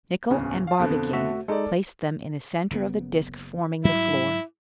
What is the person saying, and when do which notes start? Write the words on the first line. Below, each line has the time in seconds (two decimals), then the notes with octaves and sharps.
Nicholl and Barbicane placed them in the center of the disc forming the floor.
0.30 D1 E2 C#3
0.67 F5 A5
0.79 F2 B2 D3
1.13 A3 F#4 E5
1.48 G#3 D#4 A4 D5
2.71 F#1 C#3 B3
3.85 G#2 F#3 G3 E4